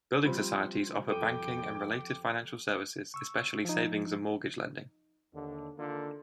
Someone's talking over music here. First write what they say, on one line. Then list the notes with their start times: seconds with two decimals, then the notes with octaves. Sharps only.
Building societies offer banking and related financial services, especially savings and mortgage lending.
0.23 F3 G3 C4 C6
1.09 F2 A4 G5 D6 D#7
3.14 C#6 E6
3.65 F3 D#4
5.33 D#2 D3
5.77 D3 D#3 A#3 F4